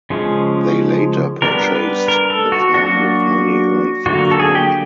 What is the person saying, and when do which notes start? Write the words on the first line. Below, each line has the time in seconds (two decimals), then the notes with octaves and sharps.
They later purchased the farm with money earned from farming.
0.10 C#3 F3 G#3 C#4
1.42 G3 B3 D4 A#4
1.75 B4
2.08 A#4
2.30 A4
2.52 F#4
2.74 F#3 A#3 D4 F#4
4.06 D3 F#3 A#3 F#4
4.31 A4
4.39 G#4
4.55 G4